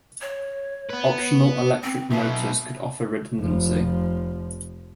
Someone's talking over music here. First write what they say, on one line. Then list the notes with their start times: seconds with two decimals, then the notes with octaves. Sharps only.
Optional electric motors could offer redundancy.
0.21 C#5
0.90 B3 B4
1.84 C4
2.10 B1 B2 E5
3.37 F1 F3